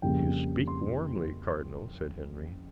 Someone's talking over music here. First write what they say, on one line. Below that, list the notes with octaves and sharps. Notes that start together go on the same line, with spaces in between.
"You speak warmly, cardinal," said Henry.
F2 C#3 G3 A#3 G5
C6